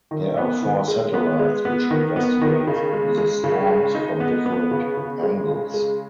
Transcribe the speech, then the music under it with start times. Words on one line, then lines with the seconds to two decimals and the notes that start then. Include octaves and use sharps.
There are four satellites which investigate the storms from different angles.
0.11 D#3
0.37 B3
0.62 D#3
0.88 G#3
1.14 B3
1.39 G#3
1.65 B3
1.90 D#3
2.16 B3
2.41 D#3
2.67 C#3
2.93 G#3
3.18 G#3
3.44 C#3
3.69 G#3
3.95 D#4
4.20 B3
4.46 B3
4.71 C#3
4.97 C#3
5.23 G#3
5.48 C#3
5.74 G#3